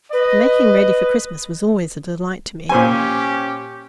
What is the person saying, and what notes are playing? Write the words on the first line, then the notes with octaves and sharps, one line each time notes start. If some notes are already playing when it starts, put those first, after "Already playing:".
The making ready for Christmas was always a delight to me.
B4 D#5
A#2 C#4 G4 C5 G#5